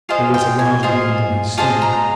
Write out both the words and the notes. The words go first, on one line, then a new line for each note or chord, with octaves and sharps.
There was a large wound in his stomach.
F4 G#4 C5 D#5 F5
G5
G#5
F4 G#4 C5 D#5 G#5
F4 G#4 C5 D#5 A5
A#5